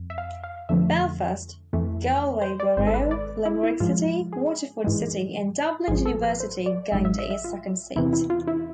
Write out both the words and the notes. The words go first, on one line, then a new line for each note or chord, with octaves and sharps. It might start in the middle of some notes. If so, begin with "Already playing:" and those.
Belfast, Galway Borough, Limerick City, Waterford City and Dublin University gained a second seat.
Already playing: F2
E5
F5
F5
F2 D3 F3 A3 E5
F2 E3 A3
C5
D5
G#1 G#2 G#3 C5
A4
B4
D5
E4
E4
G#2 F3 G#3 F4
G#4
G#2 E3 G#3
A1 G#2 F3 G#4
A4
B4
C5
D5
A1 G#2 G#3 E5
E5
E5
E5
F4
E2 C3 E3 E4
E4
F4
E4